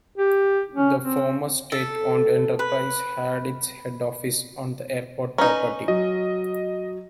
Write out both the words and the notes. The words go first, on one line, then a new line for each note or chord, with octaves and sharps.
The former state-owned enterprise had its head office on the airport property.
G4
C#4
C4
A4
B4
C#4 D#4 B4 A#5
F#3 D#5